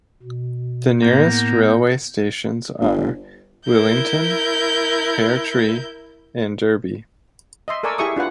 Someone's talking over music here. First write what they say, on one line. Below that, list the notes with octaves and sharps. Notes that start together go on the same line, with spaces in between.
The nearest railway stations are Willington, Pear Tree and Derby.
B2
A2 A#3 B3 G6
G1
E4 A#4 G6
D#5 E5 C6
A4 A#4 D5 G#5 C#6 E6
E4 G4 G#4 E5 C#6 D#6
D4 F4 B4 F#5